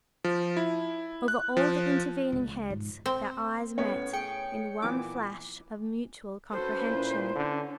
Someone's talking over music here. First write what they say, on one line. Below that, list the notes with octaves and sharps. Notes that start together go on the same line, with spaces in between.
Over all the intervening heads their eyes met in one flash of mutual comprehension!
F3
E4
F#6
F3
C#2
G#2
C4
A2 B3 C#4 C#5
G#4 G5 C#7
A#2 E3 B3 D6
C#4 F#4 A4 B4 C5
A#2 E4
D3 C#4